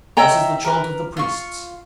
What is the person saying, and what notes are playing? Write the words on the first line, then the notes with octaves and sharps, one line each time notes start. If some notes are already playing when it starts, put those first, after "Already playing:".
This is the chaunt of the Priests.
D#4 C#5 E5 G5 A#5
A#4 B4
F4 C#6